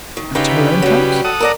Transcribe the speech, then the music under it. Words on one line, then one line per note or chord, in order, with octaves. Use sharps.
"At her own house?"
D#3
C#3 D#4 F4 G4 B4 E5
F#3 G3
A4 F#5 D#6
A#4 D5 A#5